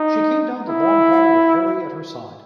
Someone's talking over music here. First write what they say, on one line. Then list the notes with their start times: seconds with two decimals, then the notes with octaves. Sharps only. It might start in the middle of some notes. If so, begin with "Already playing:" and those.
She came down the long hall with Harry at her side.
Already playing: D#4
0.69 E4